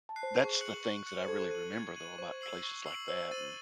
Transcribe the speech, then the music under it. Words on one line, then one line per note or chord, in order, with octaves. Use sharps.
That's the things that I really remember, though, about places like that and
A5
F#6 C7
C5
G#4 C#6
F#6 C#7 F#7
C#6
F#6 C#7 F#7
C5
A4 G#6
D#7 F#7
G#6
D#7 F#7
C5 C#6
E6 C7 F#7
C#6
E6 C7 F#7
C5 E6
A6 D#7 F#7